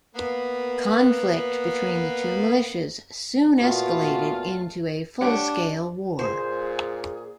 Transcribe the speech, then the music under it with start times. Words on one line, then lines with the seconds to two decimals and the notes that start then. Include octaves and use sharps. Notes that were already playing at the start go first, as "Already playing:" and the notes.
Conflict between the two militias soon escalated into a full-scale war.
0.15 A#3 B3
3.58 A#2 A3 B3 F4 F#4
5.21 D4 G4 C#5 F#5
6.19 A#2 G#4 C5